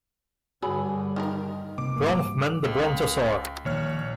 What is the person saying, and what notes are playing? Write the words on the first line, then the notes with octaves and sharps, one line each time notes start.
Bronfman the brontosaur!
G2 D3 F#3 G#4 B5
D#3 F4 A#4
C3 A#3 D6
G#2 G3 A#3
C#2
A#1 A#2 D#3 A#3 C#5 F6